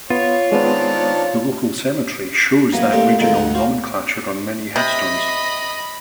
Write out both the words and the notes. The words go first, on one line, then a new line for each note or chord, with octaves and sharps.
The local cemetery shows that regional nomenclature on many headstones.
B3 F4 C#5
D#3 G#3 B3 C4 D4
E3 F#3 A#3 B3
A3 A#3 C4 D4 G4
D3 D#3 F3 G#3 A#3 C4
D2 D#4 F#5
F#4 C5 F5
C3 D#5 B5